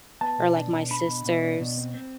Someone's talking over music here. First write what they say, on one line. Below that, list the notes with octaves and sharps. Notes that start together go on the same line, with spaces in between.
or, like, my sisters
B3 A5
B2
D4
B2
D4 B5
B2
B2
D4
B2
C4
C4